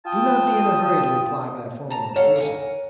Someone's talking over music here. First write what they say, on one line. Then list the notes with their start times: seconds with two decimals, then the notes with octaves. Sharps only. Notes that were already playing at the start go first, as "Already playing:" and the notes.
Do not be in a hurry to reply by a formal refusal.
0.05 F4 G5 A5 D#6
1.90 A5 A#5
2.16 A4 C#5 F5 F#5
2.36 A#4 F#5 G#5